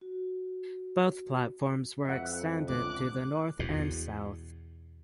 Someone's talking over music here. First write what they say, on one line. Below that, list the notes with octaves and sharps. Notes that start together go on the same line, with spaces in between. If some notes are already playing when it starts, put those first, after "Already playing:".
Both platforms were extended to the north and south.
F#4
F2 E5 F#5
C#2 A2 D3 D6 F#6
E2 B2